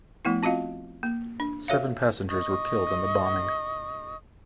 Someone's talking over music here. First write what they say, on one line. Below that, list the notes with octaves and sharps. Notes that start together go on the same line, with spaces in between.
Seven passengers were killed in the bombing.
F3 A3 B3 E4
C4 F4 F#4 D#5 F5
A#3
D4
F#4 A4 C#5 E5 F5
D#5 C#6 D#6